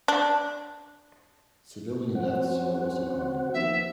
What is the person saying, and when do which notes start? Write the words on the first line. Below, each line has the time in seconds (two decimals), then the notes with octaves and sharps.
Civilian deaths are also common.
0.08 D4
2.15 F3 C4 C#4 F#4
3.54 D#2 F3 B3 E5